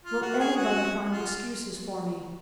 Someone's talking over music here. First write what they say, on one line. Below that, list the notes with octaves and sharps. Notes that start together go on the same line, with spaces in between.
Will anybody find excuses for me?
F4
F#4
G#4
F#4
F4